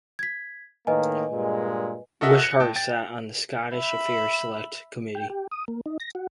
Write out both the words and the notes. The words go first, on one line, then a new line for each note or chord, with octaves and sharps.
Wishart sat on the Scottish Affairs Select Committee.
G#6 B6
A2 D#3 A#3 B4 D#5 G#5
G2 A#2 G#3
F#4 A4 A#4 D#5 E5 F#5
F#6 A#6 C#7
A2 G5 A5
G5 A6
E5 B5
G5
G4
D#6
A#3
D#4
A#6
F#4